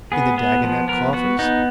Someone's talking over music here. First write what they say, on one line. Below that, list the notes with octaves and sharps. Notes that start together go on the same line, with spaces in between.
In the Dagonet coffers?
B3 G#4
B3
F3
B3 A#4
B3 F#4
B3 D#4